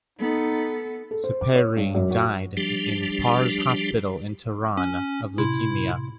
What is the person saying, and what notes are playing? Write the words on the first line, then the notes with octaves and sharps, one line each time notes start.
Sepehri died in Pars hospital in Tehran of leukemia.
B3 D#4 A4
A4
C5
D6
C#5
G2
F#2
F#4
F3 G3 D4 G4
C#4
A2 C3 E4 C6